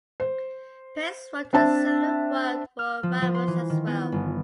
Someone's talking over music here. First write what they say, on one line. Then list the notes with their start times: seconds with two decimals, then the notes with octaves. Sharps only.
Pace wrote a similar work for Ramus as well.
0.20 C5
1.53 C4 D4 E5 A5
2.79 F6
3.03 F3
3.22 F3
3.35 C6
3.48 E3
3.70 D#3
3.87 B3
4.12 G1